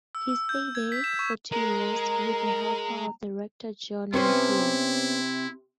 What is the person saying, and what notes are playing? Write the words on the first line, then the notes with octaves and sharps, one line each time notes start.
He stayed there for two years with the help of the rector John Methuen.
E6
E6
G6
G#6
B6
E7
C#6
G#3 A#4 A#5
C3 B3 C#4 E4 C5